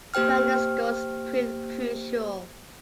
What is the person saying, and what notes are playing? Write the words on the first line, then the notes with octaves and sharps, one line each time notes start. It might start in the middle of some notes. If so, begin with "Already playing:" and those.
London's goals proved crucial.
A#3 G4 C5 G5 F6